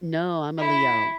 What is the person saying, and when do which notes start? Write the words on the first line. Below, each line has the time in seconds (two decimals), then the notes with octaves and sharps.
No, I'm a Leo.
0.58 E4